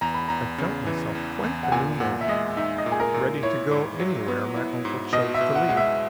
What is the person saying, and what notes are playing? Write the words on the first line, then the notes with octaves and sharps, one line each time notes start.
I felt myself quite a new man, ready to go anywhere my uncle chose to lead.
E2 A#5
B5
E2 A#5
C#3
E3
E2
E2
F#5
A#2 G#5
A#2 F#5
E5
G#3 D#5
D#4 E5
D#5
A#2
G#4
A#4
A#2
E4 C#5
G#2
F#3
B3
E4
G#2
B2 D#5
E5
B2
F#5
G#3 F#5
E5